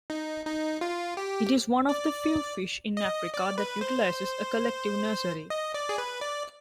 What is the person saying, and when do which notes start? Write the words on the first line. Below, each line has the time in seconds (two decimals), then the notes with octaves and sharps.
It is one of the few fish in Africa that utilizes a collective nursery.
0.10 D#4
0.45 D#4
0.81 F4
1.17 G4
1.89 D5
2.97 D#5
3.34 D5
3.58 B4
3.81 C5
5.50 D#5
5.74 D5
5.89 G#4
5.98 B4
6.21 D5